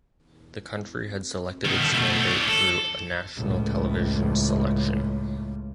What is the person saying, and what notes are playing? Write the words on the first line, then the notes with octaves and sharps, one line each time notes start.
The country had selected its candidate through a national television selection.
B2 D#3
G3 A4
B2 A3
D4 C#5
A4
C#2 A2